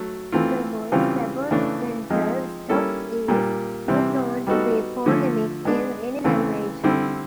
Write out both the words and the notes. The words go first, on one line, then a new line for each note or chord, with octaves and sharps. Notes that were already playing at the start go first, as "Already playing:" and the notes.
The voiced labiodental stop is not known to be phonemic in any language.
Already playing: F#3 A3
E3 A3 C4 F4
C#3 E3 G3 C4 F4
C#3 E3 A3 D4
F3 G#3 C4 D#4
G3 A#3 C#4 E4 A4
A#2 G3 A#3
C3 E3 G3 C4
G3 B3 D#4 F#4 A4
D3 F3 A3
G#3 B3 D4
C#3 E3 A3 C4
D3 G3 C4 E4